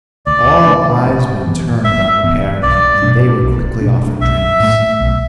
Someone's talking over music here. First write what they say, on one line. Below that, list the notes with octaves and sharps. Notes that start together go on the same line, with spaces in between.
All eyes were turned on the pair and they were quickly offered drinks.
D2 D5
D3 A3 D4
G1
G2 E3 B3
G1 E5
G2 E3 B3
B1 D5
B2 A3 D4
B1
B2 A3 D4
B1 E5
A2 A3
B1